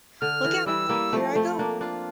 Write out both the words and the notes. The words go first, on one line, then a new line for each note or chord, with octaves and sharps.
Look out — here I go!
D3 F6
E3
E3 G3 E6
G3 A#3
F3 A3
A3 C4
A#3 D4
D4 F4